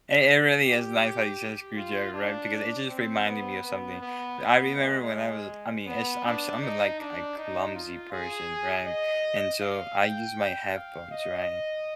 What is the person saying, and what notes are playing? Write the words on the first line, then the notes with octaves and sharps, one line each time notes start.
Hey, it really is nice how you say screwdriver, right, because it just reminded me of something. I remember when I was I mean, it's I'm s I'm a like, a clumsy person, right? And so I use my headphones, right?
G4
F4
D4
C4
B3
B3
B3
B3
G#3
B3
D4
D#4
D4
D#4
F4
G#4
D#5
F5
G5
F5
D#5